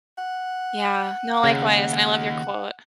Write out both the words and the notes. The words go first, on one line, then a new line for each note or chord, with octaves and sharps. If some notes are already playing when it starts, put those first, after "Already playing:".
Yeah, no, likewise, and I love your quote.
F#5
D#2 C#3